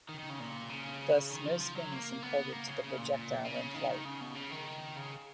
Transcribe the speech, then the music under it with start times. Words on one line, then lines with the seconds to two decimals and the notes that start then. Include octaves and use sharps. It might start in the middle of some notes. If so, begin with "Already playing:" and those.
Thus, no spin is imparted to the projectile in flight.
0.09 D#3
0.19 D#3
0.30 C#3
0.40 A#2
0.69 C#3
1.30 D#3
1.45 F3
1.61 F3
1.76 F#3
1.92 A#3
2.23 B3
2.52 A#3
2.68 C#3
2.84 C#3
2.98 A#2
3.13 A#2
3.44 C#3
3.75 D#3
3.90 D#3
4.05 C#3
4.20 B2
4.35 C#3
4.51 D#3
4.97 C#3